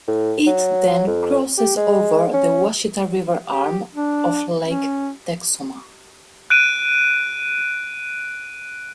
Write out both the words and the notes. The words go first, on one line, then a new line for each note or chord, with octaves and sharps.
It then crosses over the Washita River arm of Lake Texoma.
A2
F#3
F2
G4
G#3
C#4
G4
D4
C#4
F#6 D7 D#7